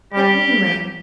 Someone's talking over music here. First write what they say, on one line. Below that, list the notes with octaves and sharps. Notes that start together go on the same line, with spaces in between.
Let me ring.'
G3 G4